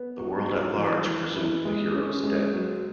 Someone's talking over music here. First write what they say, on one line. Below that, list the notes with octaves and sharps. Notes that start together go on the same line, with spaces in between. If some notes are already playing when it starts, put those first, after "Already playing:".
The world at large presumed the heroes dead.
Already playing: B3
F#4
F#4
E3
E3
E4
G#3
C#4
G#3
F#3